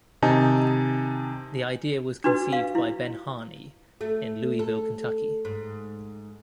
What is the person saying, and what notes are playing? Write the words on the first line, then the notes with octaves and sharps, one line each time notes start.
The idea was conceived by Ben Harney, in Louisville, Kentucky.
C3 D#3 D#4 G#5 A5
D4 D#4 F#4 B4
F5
E4
A3
A4
G#2